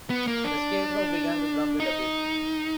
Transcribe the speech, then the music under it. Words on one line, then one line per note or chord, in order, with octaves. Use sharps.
The Scarecrow began to grumble a bit.
B3
A#3
D4
D#4